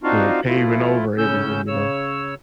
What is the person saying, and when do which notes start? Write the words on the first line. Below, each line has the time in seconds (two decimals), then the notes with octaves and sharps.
you know, paving over everything, you know?
0.03 C4 D4 D#4 F4 F#4 F5
0.47 F3 A3 E4 F4
1.18 A2 C#3 C#4 E6 G6
1.68 C#3 C#5 E6